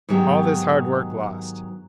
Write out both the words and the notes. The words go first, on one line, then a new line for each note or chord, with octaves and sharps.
All this hard work lost!
G#2 D#3 F#3 B3 G4